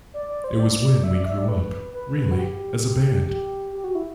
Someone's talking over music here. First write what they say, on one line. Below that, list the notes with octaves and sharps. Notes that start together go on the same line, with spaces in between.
It was when we grew up, really, as a band.
D5
D5
C5
D5
E5
D5
E5
D5
B4
B4
F#4
G4
G4
G4
F#4
E4